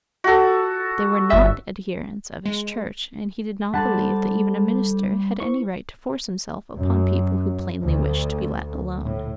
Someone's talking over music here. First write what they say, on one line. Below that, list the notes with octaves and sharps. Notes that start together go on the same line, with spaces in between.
They were not adherents of his church and he did not believe that even a minister had any right to force himself upon people who plainly wished to be let alone.
F#4 A4
G1 E5
G#3
G3 D4 A4 C5 D5 F#5 A5
E4 C5 C#6
F#2
D2
A2